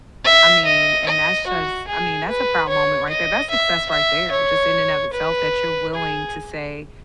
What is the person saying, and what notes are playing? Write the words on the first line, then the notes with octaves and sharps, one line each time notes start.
I mean, and that's just I mean, that's a proud moment right there; that's success right there, just in and of itself that you're willing to say,
E5
D#5
D#5
F#4
G#4
B4
C#5
D#5
E5
E5
C#5
B4
G#4